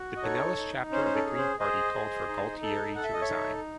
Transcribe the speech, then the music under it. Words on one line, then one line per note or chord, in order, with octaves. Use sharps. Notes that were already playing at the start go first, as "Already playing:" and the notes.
The Pinellas chapter of the Green Party called for Gualtieri to resign.
Already playing: F#4
D#5
D#4 A4 C#5
D#4
C#4 C5
C5
A4
G#4
C5
G#4 C5 D#5
G#4
D#4
A4
A4 F#5
E5
D#5
C#5 E5
D#4